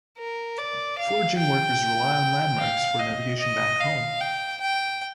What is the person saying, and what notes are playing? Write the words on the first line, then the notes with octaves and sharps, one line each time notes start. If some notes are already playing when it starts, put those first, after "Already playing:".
Foraging workers rely on landmarks for navigation back home.
A#4
D5
F5
G5
F5
D#5
D#5
F5
G5
G5